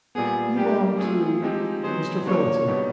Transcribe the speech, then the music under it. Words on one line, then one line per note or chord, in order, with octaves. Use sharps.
You belong to--Mr. Phillotson.
A#2 G3 B3 G#4
G3 A#3 D4 G4
A3 C4 F4 G#4
F3 G#3 C4 D#4 G4
F#3 B3 D#4 G#4 C5
F3 A#3 D4 F#4 C#5
B2 G3 B3 D#4